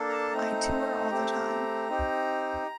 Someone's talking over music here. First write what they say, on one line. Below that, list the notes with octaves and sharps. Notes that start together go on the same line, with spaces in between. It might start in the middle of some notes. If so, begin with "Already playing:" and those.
I tour all the time.
Already playing: A#3 D4 A4
A#5
A5
A3 C4 D#4 A#5
A3 C4 G4
C4 D#4 G4